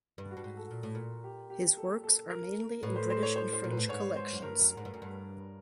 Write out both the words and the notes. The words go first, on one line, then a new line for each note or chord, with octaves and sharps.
His works are mainly in British and French collections.
G2
F#4
G2
G#2
A4
A#2
A2
A#2
G4
G4
A4
A4
A#4
A2 B4
C5
C5
C#5
C5
C5
A#2
B4
A2
G#2 C#5
C5
F#2
G2 A#4
F#2
G#2
G2
F#2
G2